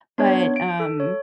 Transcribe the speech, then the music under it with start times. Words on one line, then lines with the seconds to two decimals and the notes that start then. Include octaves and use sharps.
But, um,
0.18 B3 D4 C#5 G#6
0.56 D7
0.80 A4
1.00 C#5